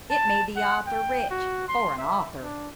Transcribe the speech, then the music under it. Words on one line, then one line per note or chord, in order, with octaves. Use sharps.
It made the author rich--for an author.
A5
F#5
G5
F#4
C6
E5
D4